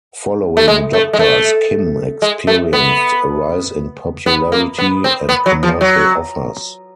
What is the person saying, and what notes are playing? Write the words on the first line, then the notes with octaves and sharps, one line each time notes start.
Following "Doctors", Kim experienced a rise in popularity and commercial offers.
A3
G#3
A3
G#3
A3
G#3
A3
B3
B3
A#3
B3
C4
B3
F#3
F3
F#3